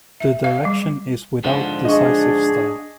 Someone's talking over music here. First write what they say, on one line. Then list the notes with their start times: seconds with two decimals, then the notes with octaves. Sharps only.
The direction is without decisive style.
0.20 E5
0.44 F5
0.65 G3
1.44 G#2 D3 F3
1.85 D4 G#4 D#5 C#6